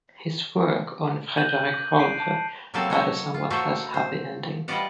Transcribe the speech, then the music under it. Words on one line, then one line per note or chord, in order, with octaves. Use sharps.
His work on Frederick Rolfe had a somewhat less happy ending.
F#6 G6 D#7 F#7
D6
B6 C7 D7 D#7
A5 D6
C3 F#3 A#3 C4 A4 A5
C#5 D#5 E5 F#5
F4
A3 A#3 F#4 A4 C5 E5
C5
G3 F4 B4 D5 D#5 F#5